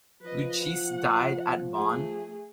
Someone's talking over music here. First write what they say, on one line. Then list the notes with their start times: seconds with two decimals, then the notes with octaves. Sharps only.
Luchesi died at Bonn.
0.21 F3 B4 D#5
0.63 F#5
1.74 A3 G#4